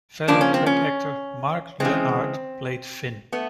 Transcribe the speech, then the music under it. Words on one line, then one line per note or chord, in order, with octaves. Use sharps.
Fellow Trek actor Mark Lenard played Finn.
C#3 F3 A#3 D4
C#4
C4
C#4
C#3 E3 G#3 C4
A3 B3